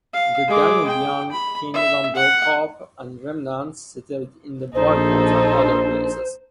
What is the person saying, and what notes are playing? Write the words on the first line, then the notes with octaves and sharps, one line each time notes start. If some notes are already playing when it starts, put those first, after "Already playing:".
The Danubian kingdom broke up and remnants settled in the Balkans and other places.
F5
G#3 D6
G5
B5
E5
F#5
A#1 D#4 A4 C5